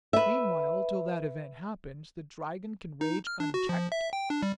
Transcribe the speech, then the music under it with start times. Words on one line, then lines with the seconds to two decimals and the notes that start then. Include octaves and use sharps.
"Meanwhile, till that event happen, the Dragon can rage unchecked?"
0.13 B4 E5
3.01 D#4
3.27 F6
3.40 D4
3.54 F#4
3.69 F3
3.92 E5
4.13 G5
4.30 D4
4.43 G3